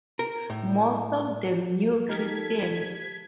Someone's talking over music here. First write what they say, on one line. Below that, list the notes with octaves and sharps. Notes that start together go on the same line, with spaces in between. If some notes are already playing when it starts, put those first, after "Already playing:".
Most of them New Christians.
A#4
A2
F3 G#3 D#4 G4 A4 A#4 G#6 B6